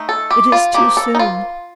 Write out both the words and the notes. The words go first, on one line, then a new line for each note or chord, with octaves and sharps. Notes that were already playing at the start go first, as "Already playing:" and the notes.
It is too soon.
Already playing: A3 D#4
A4
G4
F4
F3 A#3 D#4 G4
A4
D#4
F4